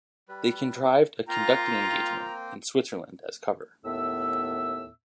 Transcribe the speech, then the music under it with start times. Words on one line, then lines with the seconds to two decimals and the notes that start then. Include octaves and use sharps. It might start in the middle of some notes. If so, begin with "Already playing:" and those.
They contrived a conducting engagement in Switzerland as cover.
0.29 G3 B4
1.28 A#3 C4 F4 G5 A#5
3.85 D#2 A2 B3 E5 E6